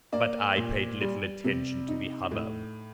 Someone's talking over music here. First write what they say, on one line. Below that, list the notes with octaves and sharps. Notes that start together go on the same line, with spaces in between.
But I paid little attention to the hubbub.
A#3 D5
A#2
G3
C3
D#4
A2